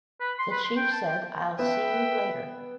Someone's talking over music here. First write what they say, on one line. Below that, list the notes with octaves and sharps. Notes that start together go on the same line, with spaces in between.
The Chief said, 'I'll see you later.
B4
C6
B4
C6
G5
A5
G5
B3 E5 G5